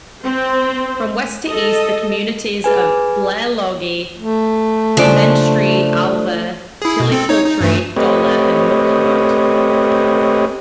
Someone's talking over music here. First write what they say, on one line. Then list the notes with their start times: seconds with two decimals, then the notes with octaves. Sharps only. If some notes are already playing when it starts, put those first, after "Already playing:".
From west to east the communities are Blairlogie, Menstrie, Alva, Tillicoultry, Dollar and Muckhart.
0.22 C4 C5
1.47 A4 D#5
2.64 G#4 B4 G#5
4.17 A3
4.97 C#3 F3 D4 D5
6.82 E4 G#4
7.00 B2
7.12 C4 A4
7.29 D#4 C#5
7.45 D#4
7.61 G2 E3 A3
7.97 A3 C4 G4 B4 C#5 D#5